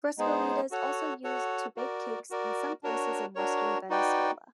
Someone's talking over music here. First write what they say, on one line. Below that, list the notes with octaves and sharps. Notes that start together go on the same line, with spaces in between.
Frescolita is also used to bake cakes in some places in Western Venezuela.
G#3 B3 D#4 G#4 C5
F#4 A4 C#5 F#5
F#4 A4 C#5 F#5
F#4 A#4 D5
F#4 A#4 D5
D4 F#4 A#4 C#5
D4 F#4 A#4 C#5
D#4 F#4 B4 D5 G5